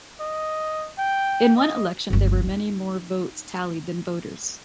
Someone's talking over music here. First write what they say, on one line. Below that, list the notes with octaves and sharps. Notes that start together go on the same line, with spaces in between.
In one election there were many more votes tallied than voters.
D#5
G5
D#5
D1 G1
D#4